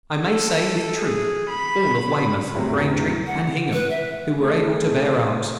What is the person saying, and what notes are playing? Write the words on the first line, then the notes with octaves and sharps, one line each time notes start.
I may say with truth, all of Weymouth, Braintree, and Hingham, who were able to bear arms....
A4
G#4
B5
E2 A2 C3 E3 F#3
F#5
B4
E5
A3 G#4